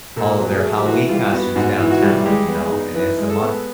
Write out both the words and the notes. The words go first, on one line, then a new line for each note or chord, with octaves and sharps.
all of their Halloween costumes downtown, you know, and as the month
A#2 A4
F#3
G#4
A3
G4
E3 F#4
G3 F4
B3 F#4
G#2 F#4
E3
F#4
G3
G#3 G4
B3
G#4
D#4
E3 B4
G#3
A4
B3